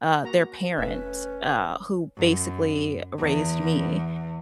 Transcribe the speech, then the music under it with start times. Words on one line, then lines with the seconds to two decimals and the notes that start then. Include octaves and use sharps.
uh, their parent, uh, who basically raised me,
0.23 A#3 F#4 A#5
0.78 F1 A3 C#4 B4 E5
2.17 F#2
3.18 E2